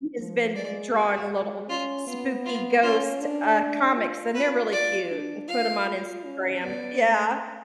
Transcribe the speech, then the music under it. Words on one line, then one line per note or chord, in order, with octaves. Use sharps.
has been drawing little spooky ghost, uh, comics, and they're really cute and put 'em on Instagram yeah,
F3
G#3 D5
F#4
C#4 F4
B3 F4
F4
C#4 F4
D4
F4
F4 B4
D5
D4
F4 F5
F4
C#4
B3 D5
A3